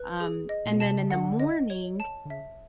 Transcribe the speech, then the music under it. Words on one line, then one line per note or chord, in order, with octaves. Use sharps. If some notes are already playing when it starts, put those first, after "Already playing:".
um, and then in the morning,
Already playing: B4
G#4
D#5
A#2
B2 A5
C3
C#3
D3 F#5
D#5
C#5
A5
D3
C#3 E5